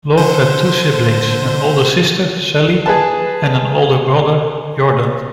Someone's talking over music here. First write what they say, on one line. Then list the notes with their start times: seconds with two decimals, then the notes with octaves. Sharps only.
Love had two siblings: an older sister, Sally, and an older brother, Jordan.
0.18 D3 C5
2.86 G#4 B4 A5